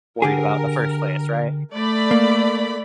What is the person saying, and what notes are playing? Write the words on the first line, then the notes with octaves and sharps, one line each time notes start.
worried about in the first place, right?
D3 G4 G#4 A#4
A3 D5 B5
A#3